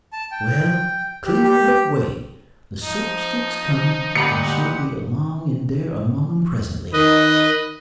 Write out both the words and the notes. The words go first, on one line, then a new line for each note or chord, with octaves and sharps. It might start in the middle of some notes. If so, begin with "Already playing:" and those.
"Well, clear the way! the Soap-stick's coming, and she'll be along in there among 'em presently."
A5
G5
G4
G4
F3 D#4
D2 A#2 G4 F#5 A#5 B5 C#7
D#3 B4 D#5